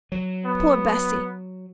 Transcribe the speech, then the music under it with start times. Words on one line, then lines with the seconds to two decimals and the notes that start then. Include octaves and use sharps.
'Poor Bessy!
0.12 F#3
0.45 B3